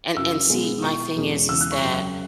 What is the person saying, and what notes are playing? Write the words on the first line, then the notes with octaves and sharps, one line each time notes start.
and and see my thing is is that
F#2 C#3 F#3 E4 E6
B2 G#3 B3 E4
B2 B3 E4 C#6
E2 B2 G#3 C#4
E2 C#3 G#3 E4 E6
F#6
C#6
F#2 C#3 F#3